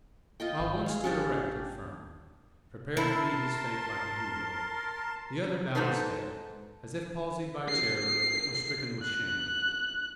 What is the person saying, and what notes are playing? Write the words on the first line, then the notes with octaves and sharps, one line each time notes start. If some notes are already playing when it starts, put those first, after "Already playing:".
While one stood erect and firm, prepared to meet his fate like a hero, the other bowed his head, as if palsied by terror or stricken with shame.
F4 D#5 G5
G#1
G#4 F5
C#4 D4 G4
E4 A#4 A5 C6
G#2 G#3 D#4 A4 B4 C5
C7
F#6